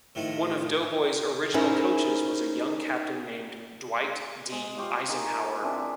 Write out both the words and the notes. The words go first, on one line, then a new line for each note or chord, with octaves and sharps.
One of the Doughboys' original coaches was a young captain named Dwight D. Eisenhower.
A2 D#3 F3 D#4
C#4 D#4 E4 G#4 A#4 C5
G#3 C5
F4 G4 C#5 F5
D#4 G#4 A#4
A#4
E3 C4 D4 E5